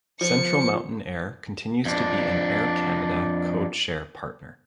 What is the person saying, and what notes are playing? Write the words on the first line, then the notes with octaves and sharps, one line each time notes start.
Central Mountain Air continues to be an Air Canada Code Share partner.
F3 C#7
F2 D4